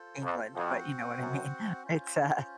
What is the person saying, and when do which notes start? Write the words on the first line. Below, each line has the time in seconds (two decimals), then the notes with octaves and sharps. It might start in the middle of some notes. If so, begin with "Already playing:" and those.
England, but you know what I mean. It's uh
Already playing: F4 A4 C5
0.23 F2
0.55 F2 C4 F#4 C5 F#5
1.20 F#2
1.83 C#4 F4 C5